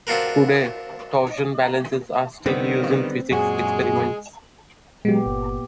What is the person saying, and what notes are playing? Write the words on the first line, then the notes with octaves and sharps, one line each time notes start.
Today torsion balances are still used in physics experiments.
C4 D4 F4 F#4 A#4 B4
D3 D#3 G3 B3 C4
F#2 A#2 G#3 F#4 G#4 G#5
A#2 F#3 G#3 B3 G4
G1